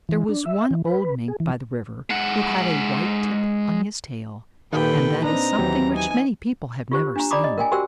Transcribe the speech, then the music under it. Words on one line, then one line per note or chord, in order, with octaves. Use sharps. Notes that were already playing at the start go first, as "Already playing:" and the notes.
There was one old Mink by the river who had a white tip on his tail, and that is something which many people have never seen.
E3
D4
E5
E3
B4
G#4
E3
G#3 F#5
A#2 D#3 D#4 G4 A4 B4 G5
C4 D4 D#4 A#5
D#2 E3 F#3 G4
D#4 G#5
F4 G4 C5
D4 A#5
D5 A#5 B5 D6 D#6
D#5
A#4 G5 G#5
F#4 G4 A#4 C5 G5 E6